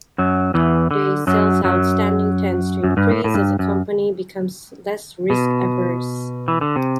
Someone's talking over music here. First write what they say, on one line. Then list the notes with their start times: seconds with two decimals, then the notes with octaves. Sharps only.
Days sales outstanding tends to increase as a company becomes less risk averse.
0.18 F#2 F#3
0.54 E2 E3
0.91 D3
1.27 F#2 F#3
1.64 F#2 F#3
2.84 F#2
2.97 G2
3.11 A2
3.24 A2
3.35 G2
3.59 F#2
5.30 B2
6.48 E3
6.61 D3
6.76 C3